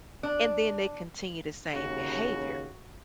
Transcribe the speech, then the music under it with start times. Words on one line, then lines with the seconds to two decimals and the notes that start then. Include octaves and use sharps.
and then they continue the same behavior.
0.23 D4
1.73 D#2 C#3 F#4